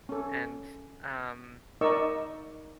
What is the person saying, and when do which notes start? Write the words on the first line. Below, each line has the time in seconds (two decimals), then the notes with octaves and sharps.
and, um,
0.09 C#4 A4
1.81 D#4 A#4 D5 D#5 C#6 E6